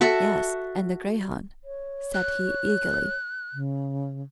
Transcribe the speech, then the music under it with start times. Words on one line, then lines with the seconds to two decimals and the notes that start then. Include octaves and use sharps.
"Yes, and the greyhound," said he eagerly.
0.01 F#4 A4 E5 F#5
1.64 C#5
2.14 F#6
3.53 C#3